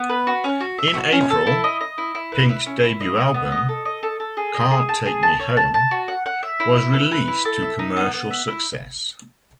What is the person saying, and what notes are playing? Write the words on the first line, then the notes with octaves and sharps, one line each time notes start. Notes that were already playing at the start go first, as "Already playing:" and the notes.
In April, Pink's debut album, "Can't Take Me Home", was released to commercial success.
Already playing: B3
B4
F#4
C#4
F#4
E5
F#4
C#4
A4
E4
D#5
D#5
E4
E4
B4
E4
C#4
E4
D#5
D#5
B3
D#5
A4
D#5
A4
A4
G#4
D#5
G#4
A5
G#4
A5
C#5
A5
A5
F#4
F#5
F#5
E5
E4
E5
B4
B4
E4
A4
E5
D#4
B3
B3
E5
E4